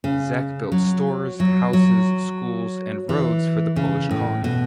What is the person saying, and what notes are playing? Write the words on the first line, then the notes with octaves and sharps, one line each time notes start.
Zech built stores, houses, schools, and roads for the Polish colony.
C#3
F#3
F#3
F#3
E3
C#3
A2
B2